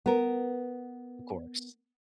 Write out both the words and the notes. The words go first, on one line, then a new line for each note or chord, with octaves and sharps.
Of course.
B3 A#4